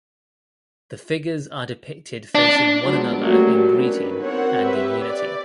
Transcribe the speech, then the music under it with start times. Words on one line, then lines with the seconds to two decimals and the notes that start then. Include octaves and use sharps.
The figures are depicted facing one another in greeting and in unity.
2.35 D4
2.84 F3 F#3 G#3 B3 D4
3.19 F#3 G3 A3 A#3 C#4 F#4
3.72 D#3 C#4 D4 B4
4.23 C4 F#4 A#4 C#5 F#5
4.61 G4 B4 E5
5.01 D5